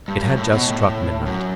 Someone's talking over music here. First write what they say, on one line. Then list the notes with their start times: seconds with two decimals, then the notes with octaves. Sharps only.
It had just struck midnight.
0.08 G2
0.22 F#2
0.37 A2
0.52 B2
0.67 A2
1.26 F#2